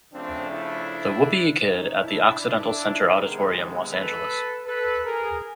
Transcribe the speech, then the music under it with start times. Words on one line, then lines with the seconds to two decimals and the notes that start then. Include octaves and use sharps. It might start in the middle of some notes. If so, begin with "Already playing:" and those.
"The Whoopee Kid," at the Occidental Center Auditorium, Los Angeles.
0.13 C#3 F3 A3 C4 D4
0.51 D4 E4
1.64 C#4 D#4
2.01 D4 E4
2.39 D4 E4
3.15 C3 D#3 G#3 B3 G#4 A#4
3.90 A4 B4
4.66 A4 B4
5.04 G#4 A#4